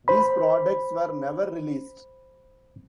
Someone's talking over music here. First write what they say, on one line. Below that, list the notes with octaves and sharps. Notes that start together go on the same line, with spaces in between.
These products were never released.
C5 B5